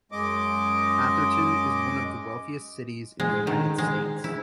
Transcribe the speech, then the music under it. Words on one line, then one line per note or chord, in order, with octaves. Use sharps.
Atherton is one of the wealthiest cities in the United States.
F#2 G#3 D#5 D6
G#3
D#3
G#3
E4